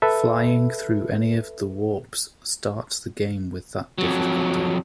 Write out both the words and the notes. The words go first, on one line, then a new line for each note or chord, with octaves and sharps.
Flying through any of the Warps starts the game with that difficulty.
A4 B4 E5
F2 F#3